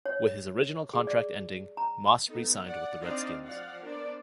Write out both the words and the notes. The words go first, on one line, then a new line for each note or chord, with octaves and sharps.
With his original contract ending, Moss re-signed with the Redskins.
C#5
G#4
D5
A#5
B3 D#4 A4
D5 F#5
C4 D4 D#4 D5 D#5 F5
F3 D5 F5 F#5
B3 D4 A#4 C5 D5